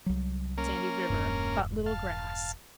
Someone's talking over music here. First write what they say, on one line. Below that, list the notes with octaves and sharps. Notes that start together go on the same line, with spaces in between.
Sandy River.--But little grass.
C2 F#3
A#3 C#4 A#4
E1 G2
F5 A5